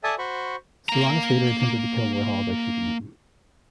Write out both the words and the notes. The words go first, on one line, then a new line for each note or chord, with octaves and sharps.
Solanas later attempted to kill Warhol by shooting him.
A4 D5 E5 G#5 A5 D#6
F#4 C5 B5 C#6
A#3 A#5